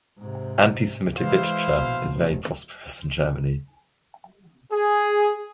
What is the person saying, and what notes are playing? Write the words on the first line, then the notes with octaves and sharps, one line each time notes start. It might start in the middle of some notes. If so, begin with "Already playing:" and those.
Anti-Semitic literature is very prosperous in Germany.
G#2 C3
E3 G#3 E4 C5 F5
A#1 B2
F1
G#4